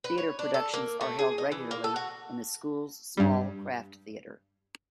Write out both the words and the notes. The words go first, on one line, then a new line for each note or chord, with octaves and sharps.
Theatre productions are held regularly in the school's small Kraft Theatre.
B4
C#5
D4
A4
A#3
A3
G#4
D#5
E3
A#3
A4
F#4
G2 G3